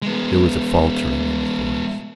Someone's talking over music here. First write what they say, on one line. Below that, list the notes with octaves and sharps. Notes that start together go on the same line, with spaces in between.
There was a faltering in his voice.
G#3 B3